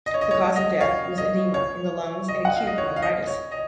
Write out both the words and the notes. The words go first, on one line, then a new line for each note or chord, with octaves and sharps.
The cause of death was edema in the lungs and acute bronchitis.
D#5
C#5
D#5
C#5
D#5
C#5 F5
D#5
C#5
D#5
F#5
F5
D#5
C#5
F5
D#5
C#5
D#5